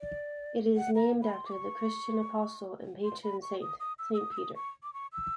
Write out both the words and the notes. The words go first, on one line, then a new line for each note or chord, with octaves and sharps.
It is named after the Christian Apostle and patron saint, Saint Peter.
D5
F#5
A#5
B5
C6
D6
C#6
C6
B5
C#6
D#6
D#6
E6
E6
D#6
E6
D#6
C#6
D6
C#6
E6